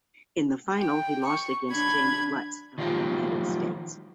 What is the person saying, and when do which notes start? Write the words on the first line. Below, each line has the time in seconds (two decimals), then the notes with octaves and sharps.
In the final he lost against James Lutz of the United States.
0.79 G5
1.25 C#6
1.72 D4 B5 G#6
2.78 D#3 F3 F#3 G#3 F4 G4